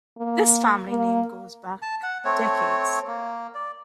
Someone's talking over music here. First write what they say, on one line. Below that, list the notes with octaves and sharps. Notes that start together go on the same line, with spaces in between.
This family name goes back decades.
A#3
A#3
A5
F#5
A3 C4 C#5
A#3
D5